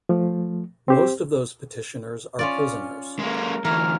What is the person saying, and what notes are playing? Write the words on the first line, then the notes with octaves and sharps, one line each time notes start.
Most of those petitioners are prisoners.
F3 A3
C4 G4 C5
C#4 F4 D5
G#3 A#3 A#4
D2 E3 A#4 F6